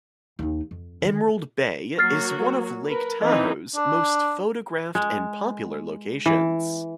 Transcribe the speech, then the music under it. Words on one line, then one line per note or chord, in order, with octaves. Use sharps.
Emerald Bay is one of Lake Tahoe's most photographed and popular locations.
D#2 D#4
F2
D3 D#3
F#3 A#3 F#4 F6 A6 C7
A#4 B4
E3 C4 D#4 D#5
D4
G#3
E3